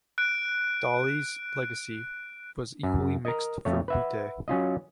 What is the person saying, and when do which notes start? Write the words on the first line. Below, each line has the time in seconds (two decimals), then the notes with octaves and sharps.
Daly's legacy was equally mixed for Butte.
0.18 F#6 D7
2.83 F#2
3.25 A#4 D#5
3.65 F2 A3 C#5
3.88 B4 E5 F#5
4.48 F#3 C#4 F4 D#5